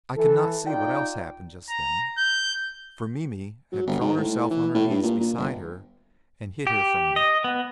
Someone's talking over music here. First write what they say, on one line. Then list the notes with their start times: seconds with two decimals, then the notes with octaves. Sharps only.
I could not see what else happened just then, for Mimi had thrown herself on her knees beside her and hid her from me.
0.16 E3 A4
0.66 D#4 F4 D5 G5
1.69 A#5
2.18 G6
3.73 F#3
3.87 G1
4.01 G#2
4.17 A2
4.51 E3
4.75 A2
4.90 G2
5.03 A#2
5.20 A#2
5.38 G1
6.67 G4
7.16 D#5
7.44 B3